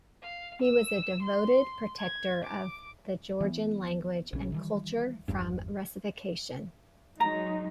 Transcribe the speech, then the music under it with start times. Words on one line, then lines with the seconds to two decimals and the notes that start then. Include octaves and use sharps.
He was a devoted protector of the Georgian language and culture from Russification.
0.22 F5
0.61 E6
1.22 C6
1.98 G#6
2.44 D6
3.41 E3 B3
4.33 A#1 C#3 E3 C#4
4.52 D#3 E3 G3
5.28 G1 E2 G2
7.20 F#3 G#3 D#4 A#5